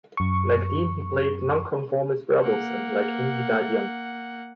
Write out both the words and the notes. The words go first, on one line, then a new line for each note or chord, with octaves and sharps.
Like Dean, he played nonconformist rebels, and like him he died young.
F#2 C#6
A#3 F#5